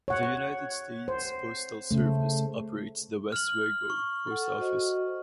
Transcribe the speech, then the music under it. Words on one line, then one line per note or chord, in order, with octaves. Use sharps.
The United States Postal Service operates the Westwego Post Office.
C#5 F#5
C5
C#3 A3
F6 F#7
C#6
A4 F#5
F#4 C5 D#5